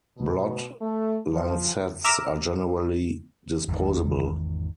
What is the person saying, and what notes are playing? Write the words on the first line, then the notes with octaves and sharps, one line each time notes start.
Blood lancets are generally disposable.
B2
A3
F3
E5 A#5 D6 E6 F6 A#6
G#1 E2 G#2 D#3